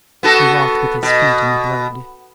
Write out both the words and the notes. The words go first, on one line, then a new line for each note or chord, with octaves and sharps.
He walked with his feet in the blood.
B3 F#4 A4
B2